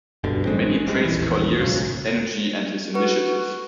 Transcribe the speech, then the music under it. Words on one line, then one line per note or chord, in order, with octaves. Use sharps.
Many praise Collier's energy and his initiative.
G1 G2 B2 D3
A1 G#3 C4
A2 G3 G#3
A#1 E2 E3
B1 G#2 C#3 F#3
F#4 B4